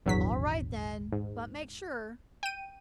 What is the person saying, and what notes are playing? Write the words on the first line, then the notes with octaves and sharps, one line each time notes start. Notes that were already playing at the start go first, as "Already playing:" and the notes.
"All right, then, but make sure."
D#1 G#1 E2 F#3 D4 B6
G#2
G5 D#7